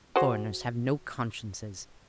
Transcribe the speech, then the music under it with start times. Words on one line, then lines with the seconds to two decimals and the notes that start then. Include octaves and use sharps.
Foreigners have no consciences.
0.16 F#4 G#4 C5